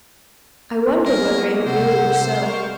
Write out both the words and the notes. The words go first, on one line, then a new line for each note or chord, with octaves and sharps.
I wondered whether it really were so.
F#3 A#3 B3 C#4 A#4
C3 C5 F#5 E6
A#4 F5 C#6